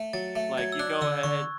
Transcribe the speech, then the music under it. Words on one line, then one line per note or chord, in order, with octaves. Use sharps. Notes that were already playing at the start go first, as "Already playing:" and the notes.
Like, you go ahead,
Already playing: A3
F#3 A6
A3
F#3 G#6
E6
D4 F#6
D3 E6
D3 C#6